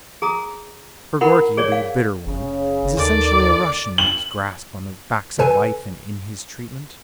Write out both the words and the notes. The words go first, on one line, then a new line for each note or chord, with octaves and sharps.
For Gorky, the Bitter One, is essentially a Russian in his grasp on the facts of life and in his treatment.
G#4 A#5 D#6
E4 A#4 F#5 B5 C6
G#4 C#5 D5
F5
F#1 C#3
D#2 D#3 A4 D5
F#7
C3 A4 B4 G#5